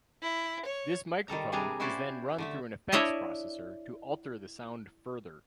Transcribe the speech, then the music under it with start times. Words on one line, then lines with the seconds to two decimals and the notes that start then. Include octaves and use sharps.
This microphone is then run through an effects processor to alter the sound further.
0.22 E4
0.66 C#5
1.28 D#3 G3 A4 A#5
1.52 C3 E3 G3 D4 G#4 A#5
1.80 C#4 E4 F#4 G4 C5 D5
2.38 D3 A3 E5
2.92 D4 E4 C#5 D#5 E5